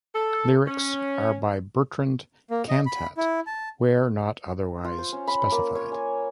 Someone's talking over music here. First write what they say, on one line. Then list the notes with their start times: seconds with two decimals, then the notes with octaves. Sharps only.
Lyrics are by Bertrand Cantat, where not otherwise specified.
0.15 A4
0.67 C#4
2.51 A#3
2.69 D#5
2.86 B5
3.17 E4
3.47 A5
4.84 F4
4.98 C5
5.13 C#4
5.27 B5
5.52 A#3
5.75 C#5
5.92 G#5